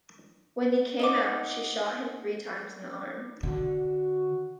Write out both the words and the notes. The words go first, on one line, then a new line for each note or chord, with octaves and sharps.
When he came out, she shot him three times in the arm.
D#4 F#5 D6
D3 F#4